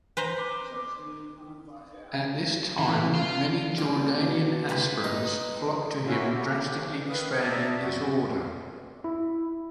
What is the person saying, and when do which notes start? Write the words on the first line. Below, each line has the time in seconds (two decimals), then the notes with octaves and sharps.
At this time many Jordanian aspirants flocked to him drastically expanding this order.
0.17 B4 C5 A#5
0.38 D6
2.79 E3
3.15 F4
3.78 G3 A#3 C4 G4
4.21 B2
4.69 C3 B4 C5
5.04 D#4 B4 D#5
6.06 A#3 C#4 E4 F#4
6.33 D3 G3 G4
7.09 D#3 B4 F5 D#6
7.40 D5 E5 A5 A#5 D6 D#6
7.80 F#2 F#4
9.04 E4